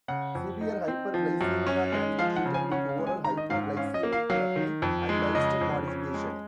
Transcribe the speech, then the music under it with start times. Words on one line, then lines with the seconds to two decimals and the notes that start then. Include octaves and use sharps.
Severe hyperglycemia can be treated with oral hypoglycemic therapy and lifestyle modification.
0.08 C#3 F#5
0.35 F2
0.61 D#4
0.88 C4
1.14 F3
1.41 F#2
1.67 C#4
1.92 G#3
2.19 F3 F5
2.36 F#5
2.46 C#3
2.54 G#5
2.71 C#4 F#5
2.89 F5
2.98 G#3
3.07 G#5
3.24 D#3 A#5
3.37 D#5
3.50 G#2 F5
3.64 F#5
3.77 C#4 F5
3.94 D#5
4.03 A#3
4.12 F5
4.30 F#3 F5
4.56 D#3
4.82 F2
5.09 G#3
5.35 C#3 D#5
5.61 F2
5.87 C#4
6.14 G#3